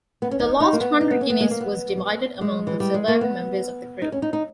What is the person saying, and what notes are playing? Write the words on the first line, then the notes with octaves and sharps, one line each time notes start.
The last hundred guineas was divided among the surviving members of the crew.
B3
C#4
D#4
D#4
A#3
B3
D#4
B3
C#4
B3
G#3
A#3
B3
G#3
E3
G3
G#3
A#3
B3
D#4
C#4
D#4
D#4